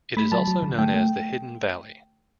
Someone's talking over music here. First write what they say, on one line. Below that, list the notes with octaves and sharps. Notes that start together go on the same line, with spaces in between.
It is also known as "The Hidden Valley".
A3 B5
F#3 A5
F#3
D3
A3 G5
A3